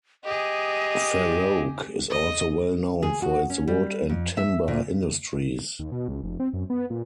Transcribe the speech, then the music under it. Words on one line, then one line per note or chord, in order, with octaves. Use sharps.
Feroke is also well known for its wood and Timber industries.
G4 G#4 D#5
D#5
G#4
F#4
C#4
G3
F2
E5
A#2
D#2
B2
C#2
F1
C4
F#2
B3
A#2